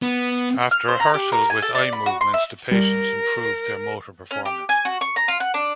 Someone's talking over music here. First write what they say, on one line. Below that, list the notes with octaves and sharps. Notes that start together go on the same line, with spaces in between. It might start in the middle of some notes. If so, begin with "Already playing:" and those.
After rehearsal with eye movements, the patients improved their motor performance.
B3
F6
C5
A#5
G4
A#4
G#5
A4
D5
B5
F#4
C6
E5
G3 A#4
C#4
G4
G#5
F#4
C#6
A#5
F4
F#5
D4